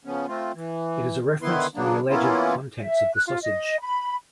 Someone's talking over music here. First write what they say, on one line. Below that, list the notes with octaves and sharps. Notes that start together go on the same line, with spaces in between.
It is a reference to the alleged contents of the sausage.
C#3 F3 B3 C#4
A3 C4 F4
E3
D3 D#3 B3 E4 B4 C6
C#3 F#3 A#3 B3 D4
E3 A#3 B3 C#4 E4 F4
E5
F#6
F4
D#5
B5